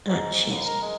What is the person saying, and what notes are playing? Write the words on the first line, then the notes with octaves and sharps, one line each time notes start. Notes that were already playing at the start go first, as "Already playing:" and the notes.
Ah, jeez.
G#2
G#2
D#2
A#4
G#3